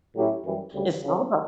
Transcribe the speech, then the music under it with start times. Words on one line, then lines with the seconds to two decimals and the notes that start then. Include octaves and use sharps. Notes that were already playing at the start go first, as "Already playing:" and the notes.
It's all about
0.16 A2 F#3 C#4 E4 G4
0.45 F#2 E3 G3
0.75 D2 C#3 G3
1.03 C#3 F#3 C#4